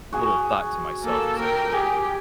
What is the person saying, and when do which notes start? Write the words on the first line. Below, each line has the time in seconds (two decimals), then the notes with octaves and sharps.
a little thought to myself, essentially.
0.12 F#4 G#4
1.03 A#3 A4
1.40 A#4 G5
1.72 G4 G#4